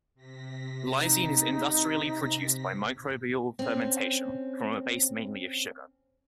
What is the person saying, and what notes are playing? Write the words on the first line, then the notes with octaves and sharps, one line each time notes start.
Lysine is industrially produced by microbial fermentation, from a base mainly of sugar.
C3 A#6 B6
D#4
C4 C#4